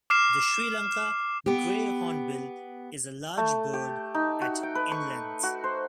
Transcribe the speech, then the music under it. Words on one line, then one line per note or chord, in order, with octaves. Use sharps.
The Sri Lanka grey hornbill is a large bird at in length.
D6 F6 C7 E7
B3 G4
A3
G4
D#4
F#4
G5
B4
C#6
F#4
C5